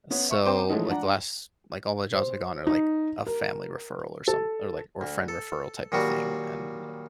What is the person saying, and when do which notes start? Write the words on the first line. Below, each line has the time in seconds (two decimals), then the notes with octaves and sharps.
so, like, the last like, all the jobs I've gone are, like, a family referral or some, or, like, or friend referral type of thing, and,
0.11 B3 C#4
0.28 E5 C#6
0.45 C4 C5 G5 D6
0.69 E3 F3 G#3 A3 C#4 D#4
0.89 D4 F#5 A#5
2.14 C5
2.67 D#4
3.27 A#4
4.28 A4
5.01 D2
5.28 A4
5.92 A#2 D#3 F#3 G3 F#4